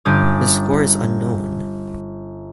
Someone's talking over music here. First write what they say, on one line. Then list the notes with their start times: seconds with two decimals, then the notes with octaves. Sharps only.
The score is unknown.
0.05 G1 C#4 G4 D5 D#6